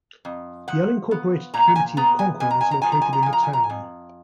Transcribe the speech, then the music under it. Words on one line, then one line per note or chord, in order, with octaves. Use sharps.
The unincorporated community of Concord is located in the town.
F2
F3 F#5
B3
A#2 A#5
G#5
B3 A#5
G#5
F2 G#5
A#5
G#5
A#5
F3 G#5
A#5
G#5
A#5
F3 G#5
A#5
G#5
A#5
G#5
F2